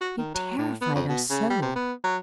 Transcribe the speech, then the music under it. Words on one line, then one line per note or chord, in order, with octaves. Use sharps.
You terrified us so.
F#4
D#3
F#3
A2
B3
F2
B2
C#3
G3
C3
B3
F#3